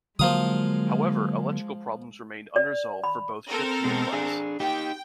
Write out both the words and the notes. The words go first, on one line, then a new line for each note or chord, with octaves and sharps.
However, electrical problems remained unresolved for both ships in the class.
D3 F3 F#3 G#3 A#3 F5 D#6
D5
B5
C4 A4 A#4
B2 G#3
D4 G#4
D#4 G4 G5